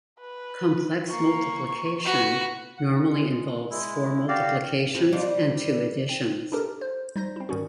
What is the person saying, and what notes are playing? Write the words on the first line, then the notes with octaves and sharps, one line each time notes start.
Complex multiplication normally involves four multiplications and two additions.
B4
A#3 C#6
F#4 B4
F#5
G#3
G#3 E4
F#4 G4 D5 F5
A2 C4 F4
G3 D4 F4
C4
D4 D#4 G4 A4 A#4
C5
G3 D#4 C5 G6 A#6
C4 E4
G#2 D#3 G3 C#4 F#4